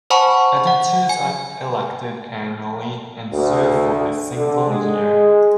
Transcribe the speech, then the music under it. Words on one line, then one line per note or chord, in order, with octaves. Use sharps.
Editors are elected annually and serve for a single year.
C5 F#5 G#5 A5 B5 C#6
F#5
G#5
D2
D3
G#3